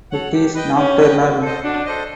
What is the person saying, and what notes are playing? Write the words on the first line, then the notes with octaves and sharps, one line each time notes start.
It is nocturnal.
F#4 A4 C#5 F#5
G4
B4 D#5 G5
C#4 G4
B4 D#5 G5
F#4
A4 C5 D#5
D4 F#4
A4 C5 D#5